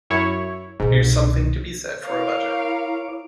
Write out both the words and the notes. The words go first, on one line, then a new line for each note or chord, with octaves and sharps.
There's something to be said for a budget.
F#2 E4 C#5
C2 G#2 B2
E4 A#4 C#5 F5 D6